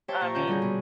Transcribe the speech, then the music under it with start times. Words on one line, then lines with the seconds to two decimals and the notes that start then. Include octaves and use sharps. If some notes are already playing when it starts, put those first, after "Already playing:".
I mean
0.08 G4 C5 C#5 E5 G5 A5
0.21 A#2 A#5 C#6
0.35 D#2 D3 C#4 F4 F#5 G6
0.47 D3 G3 F#4 G#4
0.62 B2